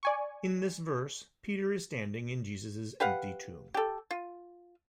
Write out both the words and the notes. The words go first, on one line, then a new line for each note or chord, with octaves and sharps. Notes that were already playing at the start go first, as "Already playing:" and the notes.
In this verse, Peter is standing in Jesus's empty tomb.
D5 G#5 C#6
G4 B4 F5 F#5
G4 A4
F4